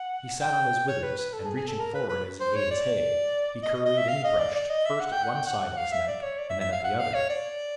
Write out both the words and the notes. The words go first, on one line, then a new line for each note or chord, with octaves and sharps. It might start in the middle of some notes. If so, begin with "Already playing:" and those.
He sat on his withers, and reaching forward as he ate his hay, he curried and he brushed, first at one side of his neck, and then at the other.
Already playing: F#5
G5
C#5
B4
B4
A4
G#4
G#4
A4
A#4
B4
B4
C5
C#5
D5
D#5
D#5
D#5
E5
F5
D#5
D5
D5
D#5
E5
F#5
G5
F#5
G5
F#5
F#5
F5
E5
D5
C#5
D5
E5
E5
F5
F#5
F5
C#5
D5